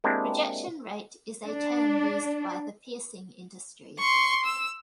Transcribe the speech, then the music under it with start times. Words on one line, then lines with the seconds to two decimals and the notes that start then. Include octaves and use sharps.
Rejection rate is a term used by the piercing industry.
0.04 G#3 A#3 C4 D4 E4 G4
1.48 D4
3.99 C6 C#6
4.45 E6